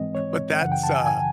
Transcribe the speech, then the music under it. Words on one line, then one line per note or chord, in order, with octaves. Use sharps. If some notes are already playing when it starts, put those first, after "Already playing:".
but that's, uh
Already playing: G#2 E3 G#3 C4 D#5
C#5
F#2 C#3 E3 F#5
G5
A5
G#5
G#5